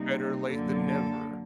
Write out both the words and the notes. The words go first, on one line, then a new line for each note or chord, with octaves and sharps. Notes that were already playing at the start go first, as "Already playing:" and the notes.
Better late than never.
Already playing: C3 G3 A#3 D#4
F#2 D3 F#3 A#3 A4
A4